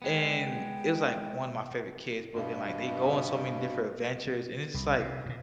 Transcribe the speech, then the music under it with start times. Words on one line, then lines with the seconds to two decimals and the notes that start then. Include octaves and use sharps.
And it was, like, one of my favorite kids' book, and, like, they go on so many different adventures, and it's just like,
0.02 G#3 B3 G5
2.34 G2 B2
4.74 C2
4.99 C3
5.26 G2 A#2